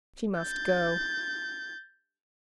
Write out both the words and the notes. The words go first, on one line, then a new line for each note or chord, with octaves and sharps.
She must go.
G6 A6